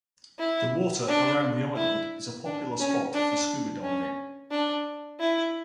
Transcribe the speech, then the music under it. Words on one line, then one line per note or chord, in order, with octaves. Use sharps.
The water around the island is a popular spot for scuba diving.
E4
D4
E4
D4
C#4
D4
C#4
D4
E4